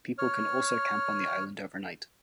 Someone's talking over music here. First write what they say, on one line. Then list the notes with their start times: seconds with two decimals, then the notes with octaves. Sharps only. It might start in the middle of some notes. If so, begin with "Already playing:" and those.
People can also camp on the island overnight.
0.18 C#5 F6